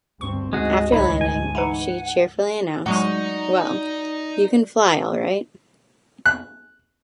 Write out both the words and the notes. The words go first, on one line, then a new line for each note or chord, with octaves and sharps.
After landing, she cheerfully announced, Well, you can fly all right.
D2 G2 C4 C#6
D2 G#2 G#3 F#4 G#4 D#5
C2 D#4 C#5 B5
G#5
E3 D#4 E4 F#5
A2 F#3 G#3 D#4 F#4 D5
F#6